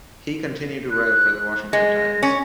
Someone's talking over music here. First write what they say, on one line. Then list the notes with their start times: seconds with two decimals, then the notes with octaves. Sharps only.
He continued to write for "The Washington Times".
0.91 F#6
1.73 G#3 A#6
2.23 C#4